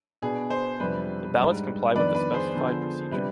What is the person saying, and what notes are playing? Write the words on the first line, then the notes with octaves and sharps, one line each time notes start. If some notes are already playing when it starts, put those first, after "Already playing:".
The ballots comply with the specified procedure.
B2 B3 D4 G#4
G#4 C5
F2 C3 G3 D4 B4
G#2 G3 D4
F2 D#3 B3 D4 B4 D5
B4
G#4 C5
D3 F3 B3
C3 G3 D4 B4